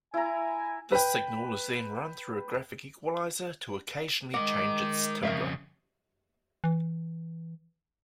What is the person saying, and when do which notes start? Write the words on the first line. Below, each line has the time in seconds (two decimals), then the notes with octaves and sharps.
This signal is then run through a graphic equaliser to occasionally change its timbre.
0.14 E4 G#5 A#5
0.92 B4 G5
4.34 G#3 A#4 D#5 F#5 D6
5.23 F2 C#3 A#4 E5 F5
6.64 E3